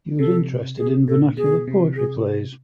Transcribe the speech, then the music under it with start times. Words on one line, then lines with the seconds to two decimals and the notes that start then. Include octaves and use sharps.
He was interested in vernacular poetry plays.
0.19 C3 A4
0.77 C3 G#4
1.08 A#2 A4
1.37 B2 G#4
1.68 C3
1.96 G#4